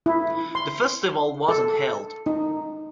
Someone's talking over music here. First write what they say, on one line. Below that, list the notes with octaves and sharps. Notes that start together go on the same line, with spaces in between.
The festival wasn't held.
E4
C6
A4
D#4